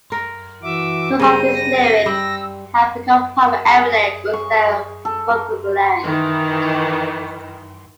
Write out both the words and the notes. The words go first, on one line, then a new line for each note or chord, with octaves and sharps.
Some of his lyrics have become part of everyday Uzbek vocabulary.
A#4
E3 F#4 E5 D6
C#3 G3 C5 A#5 D#7
A#6
G3 E6
G#4
C#6
A4
A#4
D#3 E3